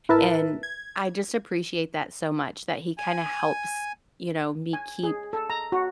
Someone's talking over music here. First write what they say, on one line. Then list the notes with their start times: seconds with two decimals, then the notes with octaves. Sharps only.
and I just appreciate that so much that he kinda helps, you know, me keep,
0.09 A1 E4 A#4 B4 E5 A5
0.63 G#6
2.98 G#5
4.73 G#5
5.03 G#4
5.33 A4
5.50 A#5
5.72 F#4